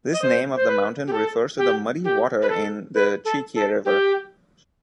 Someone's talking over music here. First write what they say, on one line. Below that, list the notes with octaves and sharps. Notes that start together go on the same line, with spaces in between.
This name of the mountain refers to the muddy water in the Cheekye River.
D#5
C5
C5
B4
G4
A4
G4
G4
B4
A4
B4
A4
A4
G4